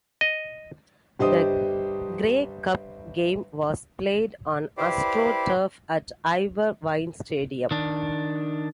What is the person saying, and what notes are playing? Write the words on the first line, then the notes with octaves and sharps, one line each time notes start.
The Grey Cup game was played on astroturf at Ivor Wynne Stadium.
D#5
G1 G3 G4 C5 D#5 D#6
E4 G4 B4 C5 D5
D#3 D4